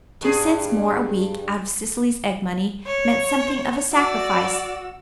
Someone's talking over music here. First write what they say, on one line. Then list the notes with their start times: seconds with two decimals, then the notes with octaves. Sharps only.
Two cents more a week out of Cecily's egg money, meant something of a sacrifice.
0.22 G2 G#4
2.87 C#5
3.93 F#4 D5 E6